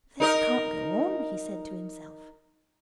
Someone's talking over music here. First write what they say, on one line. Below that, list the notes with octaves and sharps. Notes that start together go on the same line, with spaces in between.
'This can't go on,' he said to himself.
D#4 A#4 D#5